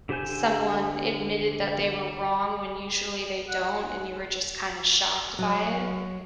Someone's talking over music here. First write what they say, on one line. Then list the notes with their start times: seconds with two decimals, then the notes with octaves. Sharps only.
someone admitted that they were wrong when usually they don't and you were just kinda shocked by it?
0.09 D3 G4 C5 G#5 G6
3.49 F#5
5.39 F#3